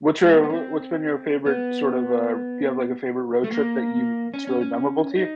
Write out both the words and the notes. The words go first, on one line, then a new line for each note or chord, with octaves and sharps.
what's your what's been your favorite, sort of uh, do you have, like, a favorite road trip that you it's really memorable to you?
G#3
B3
B3
C#4
C4
B3
A3
A#3
C#4
C#4
C#4
D#4